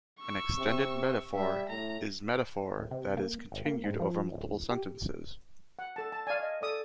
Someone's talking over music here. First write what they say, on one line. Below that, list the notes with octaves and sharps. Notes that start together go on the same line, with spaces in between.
An extended metaphor is metaphor that is continued over multiple sentences.
C#6 E6
C3
G3 E5
A2 A#5
D1
C3
A#3
G#1
A#3
G#2
F3
D1
G4
F#5
A4 A5
A5
D5 F5 G#5
D#5
A4 D5 D#6